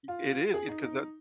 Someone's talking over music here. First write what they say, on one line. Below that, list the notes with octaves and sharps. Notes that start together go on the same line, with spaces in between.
It is it 'cause the
F4
G#4
D#4
D#4